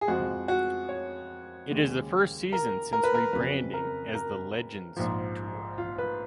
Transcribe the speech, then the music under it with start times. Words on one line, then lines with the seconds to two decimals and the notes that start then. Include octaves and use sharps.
It is the first season since rebranding as the Legends Tour.
0.01 G#4
0.08 F2 F3 G#3 F#4
0.48 F#4
0.89 C#5
1.71 D#2 C#3 G#3
2.53 A#4
2.93 A#4
3.03 B4
3.14 A#4
3.33 F2 C#3 F#3 B4
3.74 A#4
4.15 A#4
4.97 A#1 G#2 F3
5.78 F4
5.98 B4